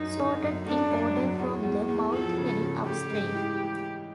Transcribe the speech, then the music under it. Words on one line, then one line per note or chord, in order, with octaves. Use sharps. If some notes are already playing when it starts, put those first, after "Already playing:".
Sorted in order from the mouth heading upstream.
Already playing: F#2 D#4
D3
F#2
A3 D4
F#2
F#3
E2
E2
E2
F3 A4
C#3
C#3
A3 G4
G#2
E3